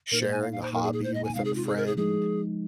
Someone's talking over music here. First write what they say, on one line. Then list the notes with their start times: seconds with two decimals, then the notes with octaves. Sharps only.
sharing a hobby with a friend
0.11 A#2 A#3 D#4 A#4
0.21 C5
0.32 G#5
0.42 F5
0.52 F5
0.62 C5
0.72 A#2 A#3 D#4 A#4
0.83 G#4
0.93 G#4
1.04 C5
1.14 D#5
1.25 G#5
1.35 C3 G#3 C4 D#4 F5
1.45 G#4
1.56 F4
1.66 G#4
1.77 A#4
1.86 G#4
1.97 F3 G#3 D#4 G#4